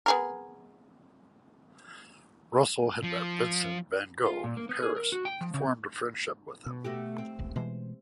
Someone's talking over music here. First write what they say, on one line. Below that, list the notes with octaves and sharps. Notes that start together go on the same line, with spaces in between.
Russell had met Vincent van Gogh in Paris and formed a friendship with him.
B3 G#4 A#4
F3
F4
A#2
A#3
B3
G#4
A#4
F#4
G5
F3
C#3
B2
A3 F#4 G4
C4
E1 B1
B2 E3 G#3 C5